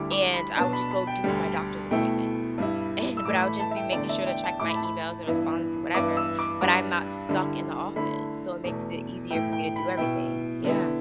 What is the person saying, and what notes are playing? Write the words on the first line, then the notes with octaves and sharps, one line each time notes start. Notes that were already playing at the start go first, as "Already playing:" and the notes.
and I would just go do my doctor's appointments, and but I would just be making sure to check my emails and responding to whatever, but I'm not stuck in the office, so, it makes it easier for me to do everything, yeah.
Already playing: D2 D3 G3 E4 D6
D6
B5
B2 B3 D4 A5
B5
B5
G5
D2 D3 G3
B2 A3 E4 G5
G2 G3 E4
E6
A2 E3 A3 E4 D6
B5
A5
E5
G5
E2 D3 A3 D5
E5
G5
A5
A2 A3 E4 D6
B5
A5
B5
G2 E3 B3 E4
G2 E3 B3 E4 D6
E6
D6
G2 G3 D4 D6
D3 G3 E4
D3 A3 E4 B5
E2 B2 A3
A2 E3 A3 E4 G5
G5
B5
B2 B3 E4 G5
D3 B3 E4